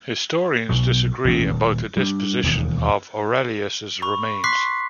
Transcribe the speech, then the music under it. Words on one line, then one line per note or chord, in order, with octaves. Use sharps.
Historians disagree about the disposition of Aurelius's remains.
B1 B2 F#3
E1 A1 C#4
D#1
G3 D4
E1 D#2 D#3
B5 C#6
C6 D6 F#6 B6 C7